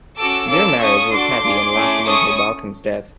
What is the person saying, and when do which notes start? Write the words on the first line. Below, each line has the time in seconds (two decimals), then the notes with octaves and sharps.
Their marriage was happy and lasted until Balcon's death.
0.18 C#4 F#4 A4 D6 E6
0.49 A#3 C#4 F4 A4 D6 E6
0.81 C#4 F4 A4 C#6 D#6
1.13 D4 F#4 A4 C6 D6
1.44 D4 F4 G#4
1.76 A3 C#4 E4 G#4
2.07 C#4 E4 A4 C#6 D#6